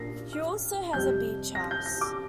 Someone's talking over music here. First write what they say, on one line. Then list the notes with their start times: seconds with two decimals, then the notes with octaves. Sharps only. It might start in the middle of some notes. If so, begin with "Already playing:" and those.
She also has a beach house.
Already playing: A#2 A#3 D4 A#6 C7
0.33 F6
0.93 F2 C3 G3 G6
1.55 A#6
1.71 G6
1.86 A#6
2.01 D6